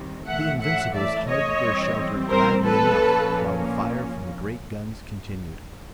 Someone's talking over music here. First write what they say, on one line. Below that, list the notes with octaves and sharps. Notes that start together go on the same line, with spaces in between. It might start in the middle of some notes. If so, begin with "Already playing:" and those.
The Invincibles hugged their shelter gladly enough while the fire from the great guns continued.
Already playing: D#3 G3 C4
A2 E3 A3 E5 F#5
E5 F#5
D5 E5
C#5 D#5
E3 G3 C4
A#4 C5
A4 B4
A#2 F3 A#3 C#4